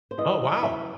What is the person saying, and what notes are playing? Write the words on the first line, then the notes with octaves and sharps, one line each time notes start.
Oh, wow.
C5
F#2 E3 D#5
E5